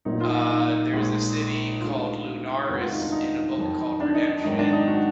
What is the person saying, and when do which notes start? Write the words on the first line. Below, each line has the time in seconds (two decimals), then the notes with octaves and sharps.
Uh, there's a city called Lunaris in a book called Redemption
0.05 A#1 A#2 F#3 A#3 D#4
0.21 F4
0.28 D#4
0.50 D#4
0.93 A#1 A#2 G#3
1.81 D2 D3 G#3 B3 F4
2.69 F1 D#2 D#3 G#3 B3 F#4
2.79 F4
2.91 D#4
3.01 D4
3.12 D#4
3.56 F2 D#3 F#3
4.00 D4
4.15 D#4
4.29 D#4
4.44 G#1 G#2 D#3 F#3 D#4
4.59 D4
4.73 D#4
4.87 F#4